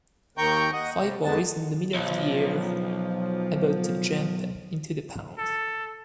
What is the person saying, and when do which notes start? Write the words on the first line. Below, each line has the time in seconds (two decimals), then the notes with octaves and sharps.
Five boys in the middle of the air about to jump into the pond.
0.38 D#2 D#3 G5 A#5 C#6 G6
0.73 D#5 F#5
1.00 C3 G3
1.25 F2 D3 G#3 B3 A5
1.95 B1 F3
5.38 A4